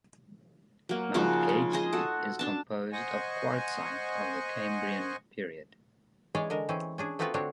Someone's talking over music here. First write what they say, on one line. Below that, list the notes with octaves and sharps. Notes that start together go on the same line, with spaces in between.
Mount Geikie is composed of quartzite of the Cambrian period.
F#3 A#3
C#3 F3 D#4 F#4
G#3
G#4 C5 D#5
F#4 A4
D4 A5
C5 D#5 F#5 G#5 C#6
E3 G#3 C#4 G#4 C#5 D5
D3 G#3 A#4
E3 C4 C#4
C#4 D4 G#4
A3 B3 C4 F4 F#4 B4
D3 C4 D4 F#4 C#5